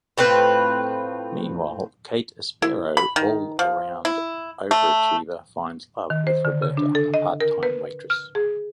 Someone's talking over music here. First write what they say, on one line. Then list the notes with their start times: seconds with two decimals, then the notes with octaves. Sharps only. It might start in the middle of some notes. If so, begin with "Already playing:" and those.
Meanwhile, Kate Aspero, all-around overachiever, finds love with Roberta, a part-time waitress.
0.18 A2 C4 F4 B4
2.62 E4
2.97 B5
3.16 D#3
3.59 F3
4.05 E4
4.71 A3
6.10 D#3
6.27 C5
6.45 D3
6.62 C#3
6.77 D4
6.95 A4
7.14 D#5
7.40 A#4
7.63 B4
8.10 F6
8.35 G#4